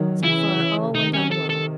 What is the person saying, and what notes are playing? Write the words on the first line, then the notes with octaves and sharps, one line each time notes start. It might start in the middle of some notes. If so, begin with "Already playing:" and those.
So far all went on well.
Already playing: D#3 F#3
C#3 E3 E4
C3 D#3 D#4
C#4
A4
A4